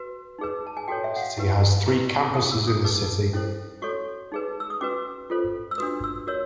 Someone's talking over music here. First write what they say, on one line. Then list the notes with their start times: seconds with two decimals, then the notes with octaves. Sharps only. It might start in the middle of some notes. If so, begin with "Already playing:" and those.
The university has three campuses in the city.
Already playing: F#4 B4
0.39 D#4 G#4 B4
0.67 A5
0.77 G#5
0.88 F#4 A4 C#5 G5
1.04 E5
1.16 F#5
1.21 F5
1.37 E4 G4 B4
1.86 E4 G4 B4 A#5
1.98 A#5
2.11 C#6
2.23 D6
2.35 C#4 E4 G#4 D#6
2.52 E6
2.67 D#6
2.84 D#4 G#4 B4 D6
3.33 C#4 E4 A4 C5
3.82 F#4 A4 C#5 C#6
4.32 D#4 G#4 B4
4.60 E6
4.70 D#6
4.81 C#4 F#4 B4 D6
5.30 F4 A4 C5
5.71 E6
5.78 D4 F#4 B4 D#6
6.04 E6
6.27 F#4 A#4 C#5 E6